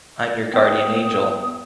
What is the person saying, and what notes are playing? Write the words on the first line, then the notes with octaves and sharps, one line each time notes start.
I'm your guardian angel.
B3 G5 D#6